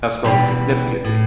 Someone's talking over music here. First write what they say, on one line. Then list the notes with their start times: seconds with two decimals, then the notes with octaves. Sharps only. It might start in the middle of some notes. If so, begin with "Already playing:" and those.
has grown significantly.
0.24 B2 E3 G3
1.04 A2